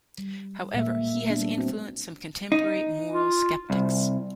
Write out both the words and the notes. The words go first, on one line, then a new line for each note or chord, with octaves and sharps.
However, he has influenced some contemporary moral skeptics.
G3
A#2 G#3 A#3 E5
G3 B3 D4
C4 F#4
D#4
F4
C2